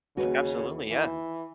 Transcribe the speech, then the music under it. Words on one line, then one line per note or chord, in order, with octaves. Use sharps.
Absolutely. Yeah.
D#2 C#3 F#4 B4
E3